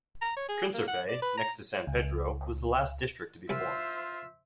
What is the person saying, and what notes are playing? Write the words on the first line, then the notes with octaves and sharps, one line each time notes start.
Trintxerpe, next to San Pedro, was the last district to be formed.
A#5
C#5
G#4
A#3
F#5
D5
B4
A#5
C#2
C2 F4 C5 E5 G#5 B5